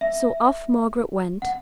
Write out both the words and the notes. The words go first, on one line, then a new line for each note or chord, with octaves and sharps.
So off Margaret went.
E5
F#5